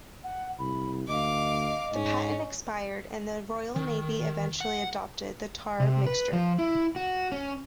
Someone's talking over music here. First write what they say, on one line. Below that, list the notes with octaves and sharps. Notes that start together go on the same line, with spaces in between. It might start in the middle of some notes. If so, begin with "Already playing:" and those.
The patent expired, and the Royal Navy eventually adopted the tar mixture.
F#5
C2 B5
D2 D#5 F5 D6
G#2 C#4
D#3
F#5
C3
B4
F3
E4
F#4
C#4